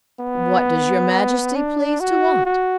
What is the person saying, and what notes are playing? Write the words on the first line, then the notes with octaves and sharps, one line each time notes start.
'What does Your Majesty please to want?
B3
D4
F#4
F#4